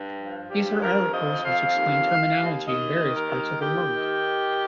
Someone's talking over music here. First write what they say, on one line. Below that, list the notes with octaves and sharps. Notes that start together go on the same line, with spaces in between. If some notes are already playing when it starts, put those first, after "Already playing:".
These are articles which explain terminology in various parts of the world.
Already playing: G2
F3
G2 G4
F2 A#4
F3 D#5
F2 F5
D#2
D#3
D#2
D#2 D#5
D#3
A#4
D#2
D#2 G4
D#3